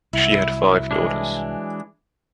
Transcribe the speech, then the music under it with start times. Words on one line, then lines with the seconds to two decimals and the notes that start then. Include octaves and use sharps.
She had five daughters.
0.13 C2 F#3 E4
0.91 E3 G#3 D4